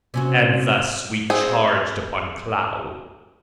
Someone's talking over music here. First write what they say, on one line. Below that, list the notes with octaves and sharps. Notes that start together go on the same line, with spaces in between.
And thus we charged upon Klow.
C3 C#4 F#4
C4 G#4